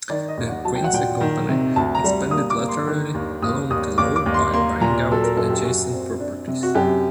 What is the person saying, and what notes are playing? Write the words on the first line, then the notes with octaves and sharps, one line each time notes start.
The Quincy company expanded laterally along the lode by buying out adjacent properties.
D#3 D5
D#5
D#2
F#5
F#3 A5
G5
F#5
A#2 G5
D#3
C3
D2 A5
A#5
G3
A#3 D#6
D6
A#3
C6
D#3
D#2
D#2 D#6
D#2 D#6
D#2 D6
D6
D#2
C6
A#3 C6
A#2 A#5
F#3 A4
A#4
F#2 A4
G4
F#2 F#4
C4
D4
C3
F#4
F#2 G4